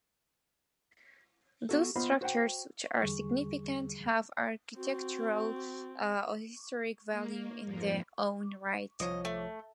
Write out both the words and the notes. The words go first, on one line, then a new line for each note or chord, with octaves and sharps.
Those structures which are significant have architectural or historic value in their own right.
B3 F#4 A4
B3 F4 C5 D#5 B5
F#4 C5 F#5 G5
E2 D3 G3 G#4 C#6
C4 F#4
A#3
F2 G#2 F3 A#3
C2 F3 C#5 D#5
A3